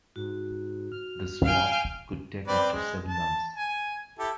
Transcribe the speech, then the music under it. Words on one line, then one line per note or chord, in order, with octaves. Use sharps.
The swap could take up to seven months.
G#2 F#4
F6
F5 G5 G#5
C4 B4 D5
G#3
A5
G#5
E4 G4 A4